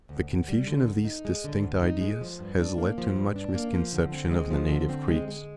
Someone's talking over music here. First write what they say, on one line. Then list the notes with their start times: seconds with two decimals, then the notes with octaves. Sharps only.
The confusion of these distinct ideas has led to much misconception of the native creeds.
0.09 D2
0.29 D2
0.48 G3
0.67 D3
0.86 D2
1.05 D#4
1.25 G#3
1.44 D3
1.63 D2
1.82 D#4
2.01 G#3
2.21 F3
2.40 G2
2.59 D4
2.78 A#3
2.98 F3
3.16 G2
3.36 D4
3.55 A#3
3.74 F3
3.93 D3
4.12 C4
4.31 G#3
4.51 F3
4.70 D3
4.89 C4
5.08 G#3
5.28 G#3